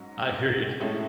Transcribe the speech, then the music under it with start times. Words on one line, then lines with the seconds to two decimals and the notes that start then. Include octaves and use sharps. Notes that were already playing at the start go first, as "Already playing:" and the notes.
I hear ya.
Already playing: G#2 F#3 C#4
0.80 A2 G#3 C#4 E4 A4